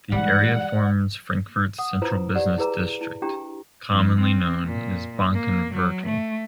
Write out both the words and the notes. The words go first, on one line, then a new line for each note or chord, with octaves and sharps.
The area forms Frankfurt's central business district, commonly known as Bankenviertel.
G#2 E3 G3 F#5
F#5 D#6
E4 F4 B4 C5 A#5
G4 D5 F#5
E4 G#4 B4 A#5
E4
D4 E4 G4 G5 A#5
F2
C4
A#2
A#3
F#3
A3